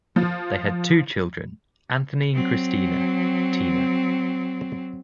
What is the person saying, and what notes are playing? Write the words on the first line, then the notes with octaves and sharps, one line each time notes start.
They had two children, Anthony and Christina "Tina".
F3
F#3 C4